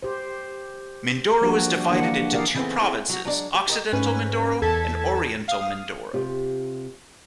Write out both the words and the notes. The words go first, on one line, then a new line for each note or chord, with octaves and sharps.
Mindoro is divided into two provinces Occidental Mindoro and Oriental Mindoro.
G4 C5
F3 G3 A#3 D4 F#4 G4
D3 E3 A#3 D4 F#5
G4 G#4 A#4 D5 F5
C#3 E3 G3 A3 B3 C4
A3 C4 E4 G#4
F#3 F#4
F#3 G#3 D4 D5
G4
G4 A#4 D#5
G#2 C#4 B4 G#5
E2 A4 A5 G#6 B6
F5 D#6
C3 F4 G4